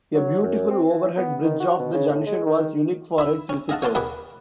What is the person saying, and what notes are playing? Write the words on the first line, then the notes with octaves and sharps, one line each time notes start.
A beautiful overhead bridge of the junction was unique for its visitors.
F#3
F#2
C4
E3
B3
D#3
F#4
B2
C#3
A2
G#3
D#3
E4 E5
C#4
G#4 D#5 F5 F#5 A5
C#5 F5 F#5 A5 C6 D6
D#2 B2 G#4 F#5 B5 D6